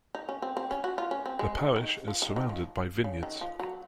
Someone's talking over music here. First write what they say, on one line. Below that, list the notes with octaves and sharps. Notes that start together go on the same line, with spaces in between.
The parish is surrounded by vineyards.
D#4
C#4
C4
C4
C#4
F#4
F4
C#4
C4
G#3
D#3
D#3
F3
D#3
D#3
F3
C#3
D#3
F3
F#3